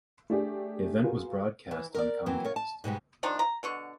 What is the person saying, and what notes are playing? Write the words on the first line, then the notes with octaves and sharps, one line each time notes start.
The event was broadcast on Comcast.
A3 D4 G4 G#4
F4 F#4 G#4 A#4 B4
E3
A#4 D5
E3 F#3 A#3 C4
A#4 C#5
A5
G#2 B2 G3 G#3
D#3 F3 A#3 D4
A#5
B2 D3 C#6